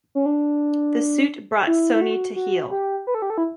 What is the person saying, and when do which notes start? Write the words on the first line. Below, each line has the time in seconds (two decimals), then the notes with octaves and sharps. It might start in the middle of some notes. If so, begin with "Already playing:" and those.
The suit brought Sony to heel.
0.15 C#4
0.26 D4
1.67 E4
1.95 E4
2.01 F#4
2.36 F#4
2.71 G4
3.07 B4
3.14 A4
3.22 G4
3.30 A4
3.38 E4